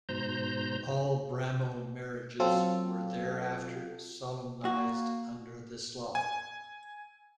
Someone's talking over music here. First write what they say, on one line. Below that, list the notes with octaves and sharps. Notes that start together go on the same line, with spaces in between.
All Brahmo marriages were thereafter solemnised under this law.
G#2 B2 C5 A#5 G6
F#3 C4 F4 A4
A#3 F#4
G#5